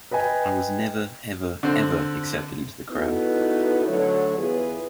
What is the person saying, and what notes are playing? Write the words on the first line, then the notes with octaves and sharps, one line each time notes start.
I was never, ever, ever accepted into the crowd.
B4 D#5 G5 G#5
D3 C4
B3 D#4 E4 F#4 A4 B4
D3 F#3 A3 A4 C#5
E2 B3 E4 F4 G#4 B4